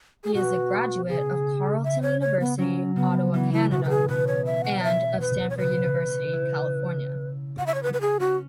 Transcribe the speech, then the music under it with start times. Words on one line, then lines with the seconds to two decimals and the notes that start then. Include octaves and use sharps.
He is a graduate of Carleton University, Ottawa, Canada, and of Stanford University, California.
0.24 G#4
0.34 B2 F#4
1.09 C#3 G#4
1.84 E5
2.02 C#5
2.21 C#5
2.40 B3
2.58 F#3 C#4
2.96 C#3 B3
3.33 E3 B3
3.52 E4
3.71 B2 F#4
3.83 B4
3.89 G#4
4.08 B2 B4
4.27 C#5
4.45 E5
4.64 F#5
4.79 C#5
4.83 E5
5.21 B4
5.50 C#5
5.58 C#3 B4
5.83 C#3
6.08 C#4
6.33 E4
7.58 F#5
7.66 E5
7.74 C#5
7.83 B4
7.93 B4
8.01 G#4
8.20 C#4 F#4